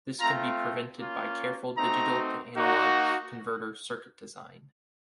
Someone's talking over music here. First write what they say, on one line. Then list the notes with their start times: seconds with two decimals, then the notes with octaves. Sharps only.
This can be prevented by careful digital-to-analog converter circuit design.
0.20 A3 C4 F4 A#5
0.99 A#3 C#4 F4
1.77 A3 C4 D#4 F#4 A#5
2.56 A#3 D#4 F#4